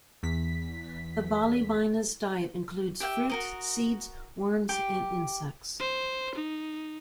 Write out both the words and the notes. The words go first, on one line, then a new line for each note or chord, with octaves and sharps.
The Bali myna's diet includes fruit, seeds, worms and insects.
E2 B6
G4 E5 F#5 G5
F#4 A#4 D#5
G4 G5 C6
C5
D#4